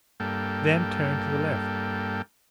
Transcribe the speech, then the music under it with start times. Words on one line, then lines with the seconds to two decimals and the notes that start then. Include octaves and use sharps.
Then turn to the left.
0.20 G2 A#3 A4 G5